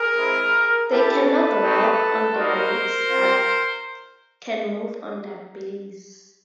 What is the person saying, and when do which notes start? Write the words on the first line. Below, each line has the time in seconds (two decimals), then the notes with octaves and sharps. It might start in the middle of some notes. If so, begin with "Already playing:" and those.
They cannot walk on their legs, but can move on their bellies.
Already playing: G#4 A#4
0.15 G#3 C4 E4
0.89 B3 E4 G4 A4 B4
1.61 A3 C4 D#4 G4
2.34 G3 A#3 D#4 F#4 A#4 C5
3.08 C4 F4